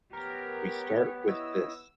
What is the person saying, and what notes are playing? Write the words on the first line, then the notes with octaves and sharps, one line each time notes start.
We start with this.
B3 G4 A#4 C#5
E4 C#5 D#5 E6